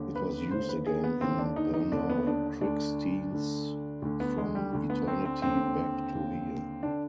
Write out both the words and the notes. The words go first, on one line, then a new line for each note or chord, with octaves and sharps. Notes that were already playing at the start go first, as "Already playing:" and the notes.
It was used again in Bernard Krigstein's From Eternity Back to Here!
Already playing: D#2 D3
B4
D#2 D3 C5
B4
G#4
B3
D#2 D3 C4
D4
D#4
D#4
D#2 D3 D4
B3
D4
D2 D3 D4
D2 D3
D2 D3
B3
G#3
G3
D2 D3
B3
C4
C4
D#2 D3 C4
D#2 D3
D3 D4